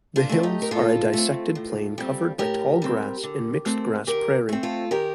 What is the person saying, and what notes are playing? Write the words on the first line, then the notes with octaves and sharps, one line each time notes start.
The hills are a dissected plain covered by tallgrass and mixed-grass prairie.
D4 F4
A3 C4
D#4 G4
A#4
A2 F4 A4
A3 C4
A2
G3 C4
A2 G4 A#4
G3 C4
D3
A3 C4
D3 G4 A#4
A3 C4
F4 A4
D#3 G4 A#4